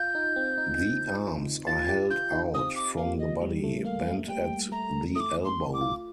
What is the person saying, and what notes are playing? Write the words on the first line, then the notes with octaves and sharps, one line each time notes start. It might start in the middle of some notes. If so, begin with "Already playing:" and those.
The arms are held out from the body, bent at the elbow.
Already playing: F4 G6
D#4
C4
D#4
F4 A6
G4
F4 G6
D#4
C4 D#6
D6
A#3 F5
D#5
G3
A3
A#3 F5
A3
G3 G5
A3 A#5
A3 D6 D#6
C6
D6
F4